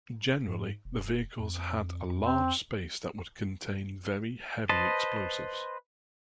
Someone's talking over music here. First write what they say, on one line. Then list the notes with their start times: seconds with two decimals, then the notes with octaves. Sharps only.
Generally the vehicles had a large space that would contain very heavy explosives.
0.48 G#2
0.85 E1
1.40 F2
2.25 C4
4.69 B4 C5 D#5 A5